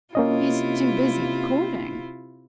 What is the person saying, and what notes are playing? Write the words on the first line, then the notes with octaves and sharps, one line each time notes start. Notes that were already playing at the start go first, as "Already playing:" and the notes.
"He's too busy, courting."
C3 A#3 C#4 E4 F4 D#5